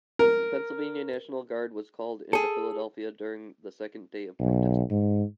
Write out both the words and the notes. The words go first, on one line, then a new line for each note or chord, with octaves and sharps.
The Pennsylvania National Guard was called into Philadelphia during the second day of protests.
A#4
G#4 A4
B1
G#2